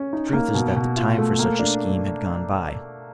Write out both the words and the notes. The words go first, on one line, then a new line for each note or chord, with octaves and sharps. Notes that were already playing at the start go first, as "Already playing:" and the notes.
The truth is that the time for such a scheme had gone by.
Already playing: C#4
D#4
A#3
B2
B2
F4
A3
A#3
D4